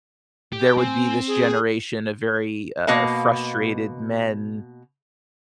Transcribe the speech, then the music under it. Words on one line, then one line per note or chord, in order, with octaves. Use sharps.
there would be this generation of very, uh, frustrated men
G4
C4 G#5
G#4
B2 A#3 D#5 F5 A5